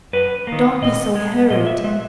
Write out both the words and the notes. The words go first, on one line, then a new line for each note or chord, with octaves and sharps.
Don't be so hurried!
F#2 B4
D#3 A#3
A#2 D#5
G#3
A#2 D#5
E5
G#3 E5